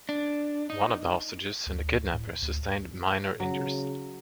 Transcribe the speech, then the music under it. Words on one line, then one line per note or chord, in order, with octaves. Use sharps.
One of the hostages and the kidnapper sustained minor injuries.
D4
D#4
D2
D2
D2
A2
D2
C#3 F#3